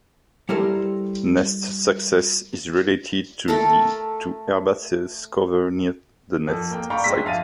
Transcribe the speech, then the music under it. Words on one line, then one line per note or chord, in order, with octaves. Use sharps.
Nest success is related to herbaceous cover near the nest site.
G3 E4 A4 A#4 C5
A3 A4 A#4
F2 A4
A#3 G5
D5 F5 G5 A#5 B5 C#6
G1 G#3 C6 E6 A#6 B6
F2 E5 F5 A6 D#7